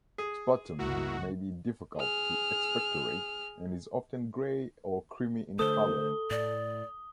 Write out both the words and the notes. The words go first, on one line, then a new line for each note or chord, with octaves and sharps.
Sputum may be difficult to expectorate and is often grey or creamy in color.
G#4
G1 C#2 A#3 E4 F#4
G#4 F6
D3 A3 A4 C5 D#6 G7
A2 D5